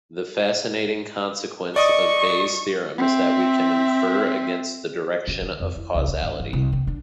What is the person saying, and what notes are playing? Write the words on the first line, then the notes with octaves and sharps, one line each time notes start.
The fascinating consequence of Bayes' theorem is that we can infer against the direction of causality.
D5 D#5 C#6 D#6
C4 E5
F#2
D#3
F2
E4
C#2
C#4
G#1
E3
C2
C4
D4